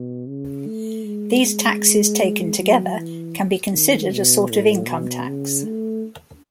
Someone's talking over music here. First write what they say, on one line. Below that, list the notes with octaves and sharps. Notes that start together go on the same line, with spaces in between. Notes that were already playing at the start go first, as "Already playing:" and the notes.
These taxes taken together can be considered a sort of income tax.
Already playing: B2
C#3
A3
G#3
G#3
F#3
E3
D#3
B2
A2
B2
C#3
A3